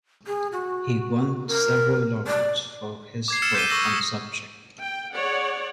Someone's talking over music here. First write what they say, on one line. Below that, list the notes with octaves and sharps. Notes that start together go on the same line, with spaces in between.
He won several laurels for his work on the subject.
G#4
F#4
A#4
D5
D6 G#6 C7
E6 F6 G#6 A6 C#7 E7
G6 B6 D#7 G7
C#6 D6 E6 G6 A#6 D#7
D#6
G5
G#4 C#5 D5 F#5